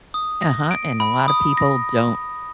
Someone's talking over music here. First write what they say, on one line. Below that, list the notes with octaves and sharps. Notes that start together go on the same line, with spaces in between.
Uh-huh, and a lotta people don't
D#6
A#6
D7
B5
D#6
A#6